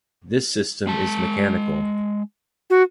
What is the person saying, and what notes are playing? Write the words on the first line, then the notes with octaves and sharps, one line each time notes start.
This system is mechanical.
G#3 A5
F#4